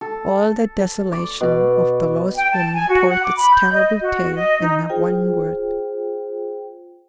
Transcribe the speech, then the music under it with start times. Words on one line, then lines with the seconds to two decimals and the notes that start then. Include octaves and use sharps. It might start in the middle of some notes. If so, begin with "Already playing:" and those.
All the desolation of the lost woman told its terrible tale in that one word.
0.01 A4
1.13 D5
1.41 B2
2.36 G5
2.51 A5
2.74 G#5
2.88 F#4
3.09 F#5
3.22 D6
3.36 B5
3.54 G6
3.72 D#5
4.01 F#4
4.34 D#5
4.60 D#4
4.90 F4 G#4 C5 G5